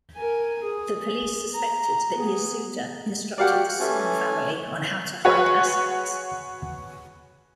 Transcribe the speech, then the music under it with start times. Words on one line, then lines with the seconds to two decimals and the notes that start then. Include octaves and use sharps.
The police suspected that Yasuda instructed the Sun family on how to hide assets.
0.15 A#4 G#5
0.63 G#4
1.54 A#5
2.16 B3 G#4
3.38 F#4 G4 D5 F5 F#5
3.80 E3 A3 C#4 A4 G#5
5.25 F#4 G#4 B4 C#5